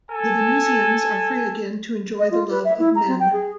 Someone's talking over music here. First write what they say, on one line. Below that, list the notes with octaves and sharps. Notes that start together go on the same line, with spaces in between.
The Venusians are free again to enjoy the love of men.
A4 G#5
D#5
F4
B4
E5
E4
A#5
C4
G5
G#4